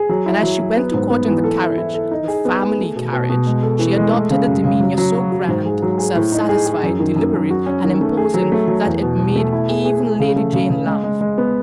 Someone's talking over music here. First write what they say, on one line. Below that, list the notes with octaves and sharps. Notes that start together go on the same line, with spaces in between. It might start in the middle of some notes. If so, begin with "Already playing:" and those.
And as she went to Court in the carriage, the family carriage, she adopted a demeanour so grand, self-satisfied, deliberate, and imposing that it made even Lady Jane laugh.
Already playing: G#4
F#3
E4
F#3
F#3
B3
G#2
B3
E3
A4
E4
E4
A4
D#4
G#4
B3
G#4
A3
B2
B2
B2
G#3
A4
E3
G#3
A3
C#3
F#2
C#3
F#3
F#3
F#4
F#4
G#2
G#4
F#3
G#4
A2
D#4
G#4
G#4
F#2
D#3
F#2
F#2
F#4
C#4
D#3
A3
G#4
F#3
A3
F#3
E2
B2
B2
A3
E4
G#4
G#4
G#4
C#3
A3
C#3
C#3
G#3
G#3
G#3
B3